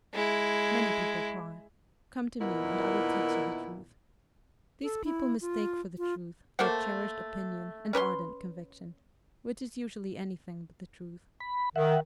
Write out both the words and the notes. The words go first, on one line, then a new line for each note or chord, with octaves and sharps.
Many people cry, "Come to me, and I will teach you the truth!" These people mistake for the truth their cherished opinion and ardent conviction, which is usually any thing but the truth.
G#3 E4
A#2 D#3 B3 E4
A4
E4
F4
F4
A3 A#3 C5 F#5
C#4 B4 C#5 C6
B5
D#3 E5 F#5